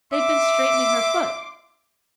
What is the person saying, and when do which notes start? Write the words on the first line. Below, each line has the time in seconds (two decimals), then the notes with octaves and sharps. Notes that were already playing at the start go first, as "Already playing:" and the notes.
They've been straightening her foot.
0.12 E5 C6 D6